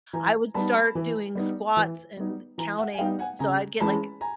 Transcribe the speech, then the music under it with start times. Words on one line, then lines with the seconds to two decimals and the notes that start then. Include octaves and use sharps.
I would start doing squats and counting g So, I'd get, like,
0.13 E3 G#5 A#5
0.54 G3 B3 D#4 A5 B5
0.95 E3
1.35 G3 B3 D#4
1.77 E3
2.17 G3 B3 D#4
2.58 E3 G#5 A#5
2.78 E5 F#5
2.93 G#5
2.98 G3 B3 D#4 F5 G5
3.19 F#5 G#5
3.39 C#3 G#5 A#5
3.80 E3 G#3 C#4 A5 B5
4.21 G#5 A#5